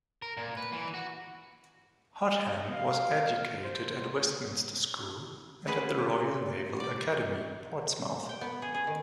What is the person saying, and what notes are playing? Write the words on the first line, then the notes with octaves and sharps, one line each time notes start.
Hotham was educated at Westminster School and at the Royal Naval Academy, Portsmouth.
A#4
A#2
B4
E3
F#4
D#5
F5
C5
C#3 F4 F#4 G#4 B4 C5
D5 G5
G5
B3
G#4
G#4
D#3